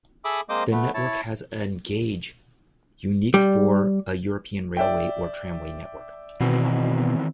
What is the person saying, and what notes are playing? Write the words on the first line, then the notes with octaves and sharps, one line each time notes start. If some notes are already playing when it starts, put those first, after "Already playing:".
The network has an gauge, unique for a European railway or tramway network.
G#4 A4 E5 B5 D6 D#6
G#3 A#3 C4 C5 D#5 D6
A3 B3
E4 C#5 A5
G3
D5 E5 G5
B2 D#3 E3 C4